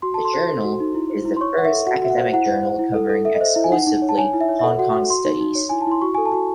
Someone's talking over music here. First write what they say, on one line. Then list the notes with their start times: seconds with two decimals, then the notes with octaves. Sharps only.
The journal is the first academic journal covering exclusively Hong Kong studies.
0.02 F#4 C6
0.14 A4 A5
0.25 C6
0.34 C5
0.49 A4
0.64 F#4
0.80 D#4
0.95 E4
1.10 C5
1.25 E4
1.37 C6
1.41 C#5 C#6
1.57 C#5 F#5
1.65 E5
1.72 A4
1.87 F#4 F#5
2.02 F#4 E5
2.10 F#5
2.18 C5
2.33 E4 F#5
2.48 C5
2.63 C5
2.79 E4
2.94 A4
3.09 A4
3.25 A4 E5
3.34 D#5
3.41 C5 E5
3.55 E4 E5
3.64 G#5
3.71 D#4 F#5
3.87 D#4
4.02 C#5
4.09 A5
4.18 C#5 G#5
4.33 E4
4.41 E5
4.49 C#5
4.59 E5
4.63 A4 F#5
4.79 F#4 F#5
4.94 F#4
5.10 F#4 C6
5.25 D#4
5.41 D#4
5.55 C#5
5.69 E4 G#5
5.81 A5
5.87 E4 C6
6.01 F#4 C#6
6.14 A4 G#5
6.25 A5
6.33 F#4